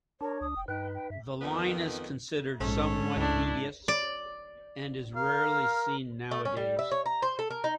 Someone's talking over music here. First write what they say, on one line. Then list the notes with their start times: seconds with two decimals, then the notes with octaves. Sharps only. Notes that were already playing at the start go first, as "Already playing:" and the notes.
The line is considered somewhat dubious and is rarely seen nowadays.
0.21 D4 A#4 C#5
0.41 C#2 D#6
0.56 F1 G5
0.68 G2 D#4 B4 G5
0.94 G5
1.10 G2 E5
1.41 F2 D#3 B3
2.60 A#1 G#2 A3 C#4
3.17 C#2 D4 E4
3.88 D5
5.16 A#4 F5
6.31 A3
6.45 C#4
6.57 G3
6.79 E5
6.91 C#5
7.06 A#5
7.22 C5
7.39 A4
7.50 A#4
7.64 D#4